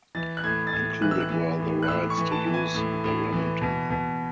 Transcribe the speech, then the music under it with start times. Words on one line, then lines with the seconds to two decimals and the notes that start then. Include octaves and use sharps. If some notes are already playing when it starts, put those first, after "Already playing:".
Included were the rights to use the Remington name.
0.15 E3 A6
0.37 F#6
0.44 A2 G#6
0.67 A6
0.73 A2 G#6
1.02 E3 F#6
1.11 E6
1.20 F#6
1.30 E3
1.60 A2
1.83 F#6
1.88 A2 E6
2.10 C#6
2.17 E3
2.31 A5
2.46 E3
2.54 G#5
2.75 A2
3.04 A2
3.32 E3
3.62 B2
3.90 B2